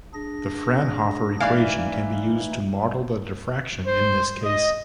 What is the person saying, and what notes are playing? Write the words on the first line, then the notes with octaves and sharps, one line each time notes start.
The Fraunhofer equation can be used to model the diffraction in this case.
D4 G#4 A#6
E3 G#3 A3 D#4 D5 F5
C5
D#5